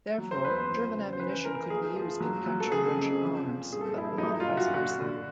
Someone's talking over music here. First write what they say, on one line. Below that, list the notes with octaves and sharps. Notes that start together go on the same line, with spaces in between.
Therefore, German ammunition could be used in captured Russian arms, but not vice versa.
F#3
C5
E2 B4
C5
F3
C#3
C5
E3 B4
E3 A#4
F3 G#4
F3
F#3
F#3
A4
C#3 G#4
F2
F3
A#2
G2 G#4
A4
G#4
G2 E4
D#4
F#3 E4
F4
A#2
F#4
D3 F#4
D3